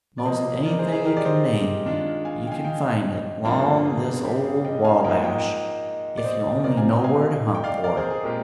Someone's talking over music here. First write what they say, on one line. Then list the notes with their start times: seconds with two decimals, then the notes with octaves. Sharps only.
Most anything you can name, you can find it 'long this ole Wabash, if you only know where to hunt for it.
0.18 D5
0.25 C3 F3 A#3 C5 D#5
0.65 A#4 D5
0.79 G#4 C5
0.92 G#4
1.05 G4 A#4
1.17 D5
1.25 C5 D#5
1.85 D#3 G#3 D4 F4
2.25 F5 G#5
2.47 G5
2.51 F5 G#5
2.65 D#5 G5
3.45 G2 F3 A#3 D4 F4
3.85 G#4
4.25 G4
4.45 G#4
4.65 D#5 G5
4.84 F5 G#5
5.04 G#2 F3 A#3 D#5 G5
5.24 D#5 G5
6.18 D5
6.24 C5 D#5
6.64 C3 F3 C4 A#4 D5
6.72 A#5
6.77 F5 G#5
6.90 D#5 G5
7.04 F5 G#5
7.55 G5
7.63 D5 F5
7.84 A#4 D5
7.97 G#4 C5
8.10 G#4
8.24 A#2 G#3 C4 F4 G4 A#4